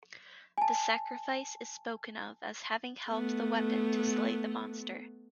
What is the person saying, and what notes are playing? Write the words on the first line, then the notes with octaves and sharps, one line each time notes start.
The sacrifice is spoken of as having helped the weapon to slay the monster.
G#5 A5
A3 B3